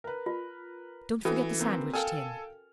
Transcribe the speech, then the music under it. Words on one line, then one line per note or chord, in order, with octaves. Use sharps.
Don't forget the sandwich-tin!
A#4 B4
F4
E3 C#4 F#4 A4
A#3 C4 B4
A4 A#4 F5 G5 G#5 F6